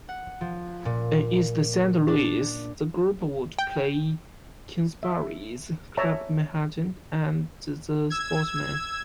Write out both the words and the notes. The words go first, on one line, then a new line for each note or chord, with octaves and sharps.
In East Saint Louis, the group would play Kingsbury's, Club Manhattan and The Sportsman.
F#5
F3
A#2
D4
G5
E5
C#5 E5 A5 A#5
E6 G#6